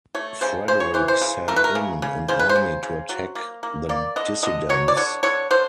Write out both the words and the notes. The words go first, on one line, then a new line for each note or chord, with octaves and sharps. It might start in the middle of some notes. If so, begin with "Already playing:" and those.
Frederick sent in an army to attack the dissidents.
A3 C#5
C#3 C5
C#3 C5
C#5
E3 C5
C5
C#3
A3 A#4
B4
A#4
C#3
C#3
C#3 C5
B4
C5
C#3
C#3
F#3
A#3
A#3
A#3 D5
D3 D#5
D3 D#5
F#3 C#5
D5
D3 C#5
D3 C#5
D3 C5